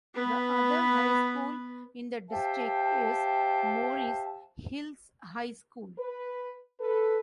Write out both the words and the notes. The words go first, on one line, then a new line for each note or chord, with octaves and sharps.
The other high school in the district is Morris Hills High School.
B3 B4
G4 C5 E5 F5 G5 A5
B4
A4 B4